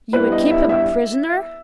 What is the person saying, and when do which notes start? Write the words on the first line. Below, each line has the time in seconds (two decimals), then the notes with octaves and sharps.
"You would keep him a prisoner?"
0.13 G2 G3 B3 E4 B4
0.32 D#5
0.51 E5
0.69 E5